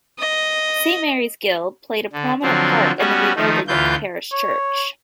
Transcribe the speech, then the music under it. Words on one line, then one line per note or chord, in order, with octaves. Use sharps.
Saint Mary's Guild played a prominent part in the rebuilding of the parish church.
D#5
D3
D3 F3 F#3 C4
G3 B3 C#4 F#4
D#3 F3 A3 D#4
D2 E3 F4 G6
C#5